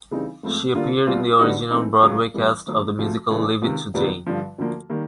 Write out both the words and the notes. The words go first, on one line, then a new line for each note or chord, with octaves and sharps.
She appeared in the original Broadway cast of the musical "Leave It to Jane".
C#3 E3 G3 C4 D#4
G#2 F3 A3 C4
D3 G3 A#3 D4 F4
C2 B2 G3 C4 F4
D3 G3 B3 D#4 F#4
E3 A3 C4 D#4
C#2 C#3 F#3
G2 E3 G3 B3
D#3 F#3 A3
D2 C3 F3 A3
C#2 C#3 E3 A3 D4
C#2 C3 D#3
F2 C3 D#3 G3 B3
G2 D3 F3
D2 D3 F3 A#3
D#3 G3 A#3